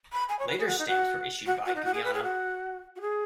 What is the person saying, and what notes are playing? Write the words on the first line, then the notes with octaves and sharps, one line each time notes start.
Later stamps were issued by Guyana.
B5
G#5
C#5
B4
G#4
F#4
D#4
F#4
F#4
F#4
D#4
F#4
G#4
B4
G#4
F#4
F#4
G#4